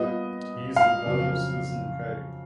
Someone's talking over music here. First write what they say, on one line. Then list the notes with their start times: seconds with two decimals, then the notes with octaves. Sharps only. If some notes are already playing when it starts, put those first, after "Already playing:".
He is the brother of Citizen Kay.
Already playing: A#2 G3 B3 D#5
0.76 F5
1.06 F2 C#3 F#3